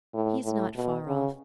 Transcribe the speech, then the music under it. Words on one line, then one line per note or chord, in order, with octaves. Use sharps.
He is not far off....
A2
A2
B2
C#3